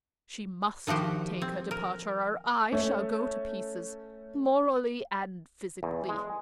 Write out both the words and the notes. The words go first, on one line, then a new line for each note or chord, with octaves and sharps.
She must take her departure, or I shall go to pieces, morally and physically.
D#3 F3 F#4 G4 C5
C4
A#4
A3 C#4
E2
G#3